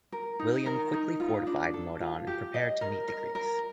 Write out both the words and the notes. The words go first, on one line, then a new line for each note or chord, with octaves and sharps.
William quickly fortified Modon and prepared to meet the Greeks.
A#4
D#4
A#4
D#4
F4
D4
A4
F4
G4
D#5
A#4
A#4
A#4